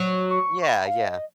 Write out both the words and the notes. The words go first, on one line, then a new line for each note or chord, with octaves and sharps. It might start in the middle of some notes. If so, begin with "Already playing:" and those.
Yeah, yeah.
Already playing: F#3
C#6
C#6
B5
F5
D#5